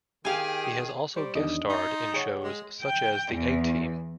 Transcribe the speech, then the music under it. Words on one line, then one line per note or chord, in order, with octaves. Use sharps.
He has also guest starred in shows such as "The A-Team".
D#3 G4 G#4 F5 G#5
G3 C5 C#6 D6
E2 D#3 D4 D#5
D#4 C6 G6 A6
G#4 C#5 F#5 G5 C#6
G#3
G5
E2